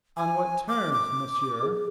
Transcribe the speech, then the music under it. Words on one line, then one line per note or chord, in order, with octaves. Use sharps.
"On what terms, monsieur?"
G#5
D6
D6
G#4